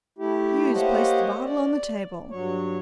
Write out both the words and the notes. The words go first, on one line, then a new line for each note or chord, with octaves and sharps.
Hughes placed the bottle on the table.
A3 E4 G4
A#3 G4 C5 C#5 D#5 F#5
D5
G2 F#3 C#5